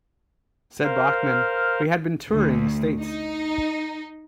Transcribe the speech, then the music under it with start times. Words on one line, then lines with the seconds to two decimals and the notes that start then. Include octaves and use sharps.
Said Bachman: We had been touring the States.
0.84 A#4 C5 F5
2.31 D2
3.02 D#4